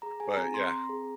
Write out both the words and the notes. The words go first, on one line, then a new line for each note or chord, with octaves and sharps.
but, yeah.
G#4 A#5
G#4 G#5
C4 A#5
C4 C6
C4 A#5
G#4